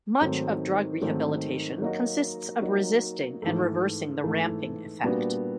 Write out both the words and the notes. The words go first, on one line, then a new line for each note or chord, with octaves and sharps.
Much of drug rehabilitation consists of resisting and reversing the ramping effect.
G#2 D#3 F#3 A3 C4
G#2 D#3 F#3 A3 C4
F#3 A#3 D#4 F#4
F#3 A#3 D#4 F#4
G#2 E3 A3
G#2 E3 A3
A#2 G3 B3 D4 F#4